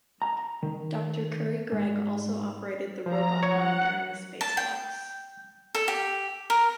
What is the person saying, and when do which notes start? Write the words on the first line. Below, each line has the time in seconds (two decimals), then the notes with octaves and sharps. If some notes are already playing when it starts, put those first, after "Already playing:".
Doctor Currie-Gregg also operated the robot arm during the space walks.
0.22 A#5
0.63 D#3
1.72 G#2
3.06 F3 A#5
3.43 C#5 F#5
4.41 A5
4.57 G5
5.75 A4
5.88 G4
6.50 A#4